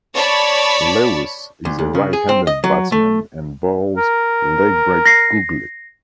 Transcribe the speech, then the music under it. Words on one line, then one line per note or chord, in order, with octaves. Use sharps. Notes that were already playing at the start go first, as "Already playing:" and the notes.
Lewis is a right-handed batsman and bowls a legbreak googly.
C#5 D5 A5 B5
D2
D2
C#3
G#4
C4
D#5
F#3
A3
A#4
A#6 C7